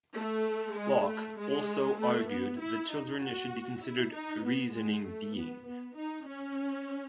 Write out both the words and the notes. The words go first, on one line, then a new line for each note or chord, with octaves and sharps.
Locke also argued that children should be considered "reasoning beings".
A3
G#3
A3
G#3
A3
B3
E4
D#4
F#4
E4
D#4
B3
G#3
A3
B3
B3
D#4
C#4